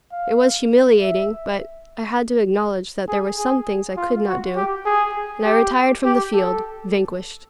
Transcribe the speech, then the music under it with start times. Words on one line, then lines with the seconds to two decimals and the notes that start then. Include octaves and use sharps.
It was humiliating, but I had to acknowledge that there were some things I could not do, and I retired from the field, vanquished.
0.12 F5
1.01 E5
3.08 G#4
3.38 G#4
3.97 F4
4.27 F#4
4.56 G4
4.86 G#4
5.44 G4
6.05 G4
6.33 A4